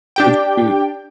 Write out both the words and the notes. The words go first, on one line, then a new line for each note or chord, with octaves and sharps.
Would you
D4 G4 G5